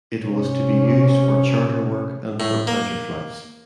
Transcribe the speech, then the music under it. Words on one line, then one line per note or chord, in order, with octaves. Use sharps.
It was to be used for charter work and for pleasure flights.
C3 C#4
A2
A#3